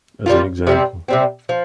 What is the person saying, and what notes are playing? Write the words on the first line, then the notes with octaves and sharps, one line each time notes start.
As an example.
G3 A#3 F4
C3 G3 C4
C3 G3 C4
F3